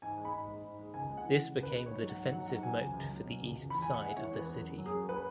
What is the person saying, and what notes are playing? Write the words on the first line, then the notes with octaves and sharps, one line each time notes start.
This became the defensive moat for the east side of the city.
G#2 G#5
G#3
B5
G#2
G#3
G#2
G#3
C#2 G#5
G#3
F#5
E3
C#3
C#2
B4
G#3
G#2 C#5
F#3
F#5
G#2
F#3 F#5
G#2 F#5
F#3 G#5
C#2
C#2
F#3
B2
C#2
C#2
E2 B5
G#5
E2
F#5
G#3 E5
E3 C#5
E2
B4
E2
F#2
F#3
G#4
F#2
F#3 B4